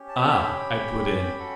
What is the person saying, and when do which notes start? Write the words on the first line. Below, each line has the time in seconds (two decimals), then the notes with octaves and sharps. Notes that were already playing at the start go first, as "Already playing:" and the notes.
"Ah!" I put in.
Already playing: C#4 G4
0.08 A5
0.15 B5
0.23 F#5 A5
0.30 G5 B5
1.38 C#4 F#4 A4